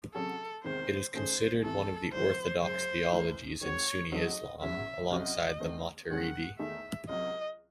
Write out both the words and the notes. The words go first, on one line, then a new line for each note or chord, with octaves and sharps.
It is considered one of the orthodox theologies in Sunni Islam, alongside the Maturidi.
C3 F#3 C#4 G#4 A4
E2 C3 D#3 G#3 C5
D#3 A3 C#4 G#4 C5
E2 C3 E3 A4
G#1 F#2 E3 C5
F#1 F#2 C#3 G#3 C5
C#2 C#3 E3 A3
D#3 G#3 C4 F#4 C#5
C#3 F#3 C4 D#4 A4 D#5
F#1 E2 C#3 F#3 C#4 E5
C2 C3 F#3 C#4 F#4 D#5
E2 D#3 A3 C4
D#3 G#3 C#4 G#4 F#5
E2 D#3 A3 D#4 G#4 E5
C#2 C3 F#3 D#5